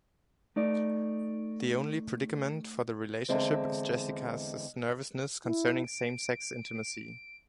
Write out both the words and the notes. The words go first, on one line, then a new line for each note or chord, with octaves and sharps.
The only predicament for the relationship is Jessica's nervousness concerning same-sex intimacy.
A3 D#4 D5
E2 D3 G#3 C4
E4
D7